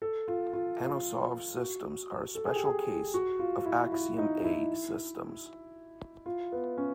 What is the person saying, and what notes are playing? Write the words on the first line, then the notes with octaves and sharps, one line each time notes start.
Anosov systems are a special case of Axiom A systems.
A4
F4
F4
F4
F#4
A4
G#4
G4
G#4
F#4
F4
E4
E4
D#4
E4
F4
B3
C#4